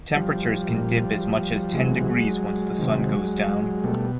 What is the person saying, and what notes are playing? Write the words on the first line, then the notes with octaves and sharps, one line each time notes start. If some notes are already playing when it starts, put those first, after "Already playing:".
Temperatures can dip as much as ten degrees once the sun goes down.
F3 G3
A#2
C3 E3 F#3 G#3
C3 D#3
B2 G3 A3